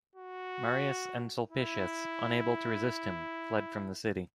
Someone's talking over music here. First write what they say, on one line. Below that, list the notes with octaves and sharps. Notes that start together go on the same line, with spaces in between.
Marius and Sulpicius, unable to resist him, fled from the city.
F#4
E4